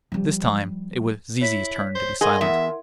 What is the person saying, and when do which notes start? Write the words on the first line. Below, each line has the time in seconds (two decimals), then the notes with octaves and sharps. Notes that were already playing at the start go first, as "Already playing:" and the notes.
This time it was Zizi's turn to be silent.
0.12 F3 G3
1.41 E4 C#5 B6
1.95 C5
2.21 G#4 A#4 D#5 F#5 C6
2.41 E2 E5